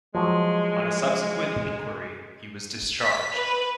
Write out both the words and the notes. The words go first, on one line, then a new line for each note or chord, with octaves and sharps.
On a subsequent inquiry he was discharged.
F3 F#3 G#3
B6
B4